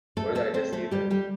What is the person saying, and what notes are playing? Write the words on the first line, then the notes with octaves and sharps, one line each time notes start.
What did I just see then?
A3 A4
A3 A4
C4 C5
A3 A4
G3 G4
G3 G4